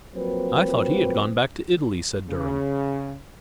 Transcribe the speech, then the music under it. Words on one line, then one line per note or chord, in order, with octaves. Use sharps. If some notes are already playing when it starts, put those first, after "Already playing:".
"I thought he had gone back to Italy," said Durham.
F3 F#3 A#3 C4 B4
C#3